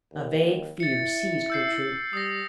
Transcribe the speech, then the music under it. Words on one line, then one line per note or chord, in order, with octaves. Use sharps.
A vague fear seized Gertrude.
D#2
E4 A6 C#7
E6 G6 C7
G3 D#6 A#6